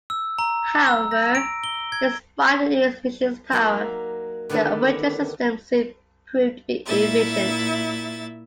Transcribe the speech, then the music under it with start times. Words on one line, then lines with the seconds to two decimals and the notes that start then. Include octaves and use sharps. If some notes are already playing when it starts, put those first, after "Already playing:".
However, despite the new machines' power, their operating system soon proved to be inefficient.
0.10 E6
0.39 A#5
0.87 E6
1.11 A#6
1.35 D7
1.64 G7
1.92 G#6
3.52 F#3 A#3 D#4 E5 F5
4.50 D3 D#3 A3 B3 G4 A4
6.86 A#2 E4 E5 A6